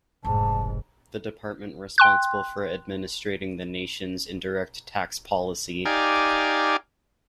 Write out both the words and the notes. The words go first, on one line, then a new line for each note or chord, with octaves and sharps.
The department responsible for administrating the nation's indirect tax policy.
F1 B1 G#2 A5
G5 C6 F#6
D#4 G4 D5 F5 G#5